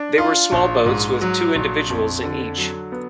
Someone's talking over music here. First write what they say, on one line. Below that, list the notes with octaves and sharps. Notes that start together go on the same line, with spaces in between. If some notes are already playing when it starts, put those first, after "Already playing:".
They were small boats with two individuals in each.
Already playing: D4
F4
A#1
G#2
F#3
A#1
F2
D3
F#3
B3